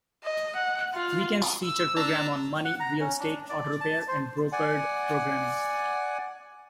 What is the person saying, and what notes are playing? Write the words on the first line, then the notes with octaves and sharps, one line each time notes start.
Weekends feature programs on money, real estate, auto repair and brokered programming.
D#5
F#5
F4
E6
D4 A5 A#5
F#5
A#5
C#4
D4
D5
A5
C5
D5 F#5 G#5